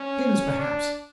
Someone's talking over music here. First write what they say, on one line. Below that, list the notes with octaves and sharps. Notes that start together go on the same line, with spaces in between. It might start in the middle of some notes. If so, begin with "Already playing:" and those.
Skins perhaps.
Already playing: C#4
D4